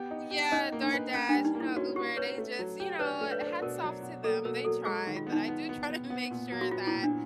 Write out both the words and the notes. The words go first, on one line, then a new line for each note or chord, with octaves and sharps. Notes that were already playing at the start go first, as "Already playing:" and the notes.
Yeah, DoorDash, you know, Uber, they just you know what, hats off to them, they try, but I do try to make sure that
Already playing: B3 G4
D#4
G4
C#4 D#4
A#3
D4
B4
A#3 C#4
D4
G3
D#4
A#3
E4
C#4 F#4
F#4 G4
C#4 B4 C#5
A3
F#3
G4
D4 B4 C#5
A3
B4 C#5
D4
C5
B2 A#4
F#3
B2
A#3 A4
B2 A#4
F#3 A4
G#3 G#4
D#3
F4
B3
D#4
B3
B3
B3
B3
A#2
F#3
F#4
B3 F4
E4
A#2
D4